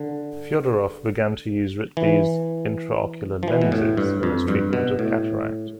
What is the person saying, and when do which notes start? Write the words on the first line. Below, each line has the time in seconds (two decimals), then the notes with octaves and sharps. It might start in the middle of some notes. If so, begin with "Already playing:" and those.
Fyodorov began to use Ridley's intraocular lenses in his treatment of cataract.
Already playing: D3
1.97 E3
3.43 F3
3.48 E3
3.61 B2
3.72 A2
3.97 G2
4.23 F2
4.48 G2
4.73 B2
4.99 A2